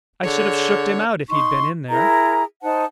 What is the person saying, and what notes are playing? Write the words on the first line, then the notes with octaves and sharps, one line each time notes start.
"I should have shooked him out, if he'd been in there!"
D3 G#4 C#5
D#4 C6 C#6
E4 G#4 A#4 A#5
D#4 C5 F#5 A5